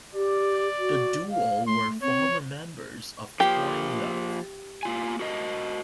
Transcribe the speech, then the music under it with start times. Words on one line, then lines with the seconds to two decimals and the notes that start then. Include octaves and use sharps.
The duo were former members of Toy Love.
0.14 G4 D5
0.79 F#4
1.30 F5
1.67 A3 C6
2.02 C4 C#5
3.40 F3 A#3 G4
4.83 A#3 F4 G#5
5.20 F#4 A#4 D#5